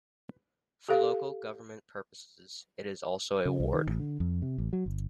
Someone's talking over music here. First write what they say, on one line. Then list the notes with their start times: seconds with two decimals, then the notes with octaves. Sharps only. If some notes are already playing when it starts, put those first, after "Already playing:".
For local government purposes, it is also a ward.
0.89 G4 A4 F5
3.46 C#3
3.60 C2
3.73 D#3
3.87 A1
3.99 D3
4.20 F2
4.42 C3
4.58 A1
4.73 F#3
4.86 G1